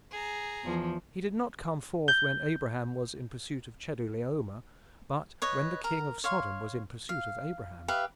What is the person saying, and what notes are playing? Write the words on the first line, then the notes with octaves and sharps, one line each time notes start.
He did not come forth when Abraham was in pursuit of Chedorlaomer, but when the king of Sodom was in pursuit of Abraham.
G#4 A#5
E2 F3
G6 G7
B4 C#5 D#5
A#4
C#5 F5 C6
F5
G4 B4 E5 F5